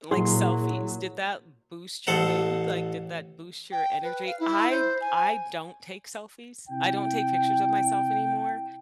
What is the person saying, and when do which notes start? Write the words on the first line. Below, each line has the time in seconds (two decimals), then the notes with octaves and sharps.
like selfies? Did that boost your mood? Like, did that boost your energy? I d I don't take selfies. I don't take pictures of myself anymore.
0.11 A#2 F#3 E4 G#4 C6
2.07 A1 A4 C5 F#5 A#5
3.72 G5
4.03 B4
4.27 F5
4.40 E4
4.70 C5
5.01 G#5
6.69 C3 E4 G5